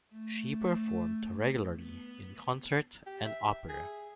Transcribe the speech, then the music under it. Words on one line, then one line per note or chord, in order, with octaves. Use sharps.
She performed regularly in concert and opera.
A3
B3
G4
E5
G#4